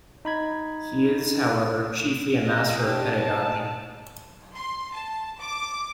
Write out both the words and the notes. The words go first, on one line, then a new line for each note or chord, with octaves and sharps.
He is, however, chiefly a master of pedagogy.
D#4 B5 G#6
D#5
D4 G4
A5
C6
A5
D6